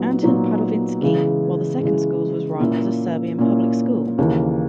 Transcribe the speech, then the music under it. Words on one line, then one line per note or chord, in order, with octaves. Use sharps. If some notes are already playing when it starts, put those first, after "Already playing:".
Antun Padovinski, while the second schools was run as a Serbian Public School.
Already playing: A#2 F#3 B3 D#4
A#2 F#3 B3 D#4
C#3 E3 G#3
C#3 E3 G#3
A#2 A#3 C#4 E4
A#2 A#3 C#4 E4
D#2 C#3 E3 A#3